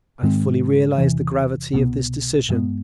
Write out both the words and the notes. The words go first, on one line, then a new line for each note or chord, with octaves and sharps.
I fully realise the gravity of this decision.
G#2 D#3 G#3 C4
E2 C3 E3
C2 B2 F#3 B3
G2 E3 G#3 B3